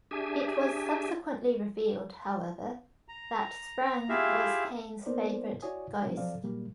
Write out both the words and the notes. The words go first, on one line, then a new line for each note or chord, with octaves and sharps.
It was subsequently revealed, however, that Sprang was Kane's favorite "ghost".
D4 G4 G#4 E5 G#5
A#5
E4 F4 G4 G#4 E5 F5
A#3 B3 D#4 A#4 C5 D5
E4 F#4 C#5 D5 G#5 D#6
B2 G3 D4
F3 F#3 C4 A4 D5 F5
A#2 F#3 G3 A#3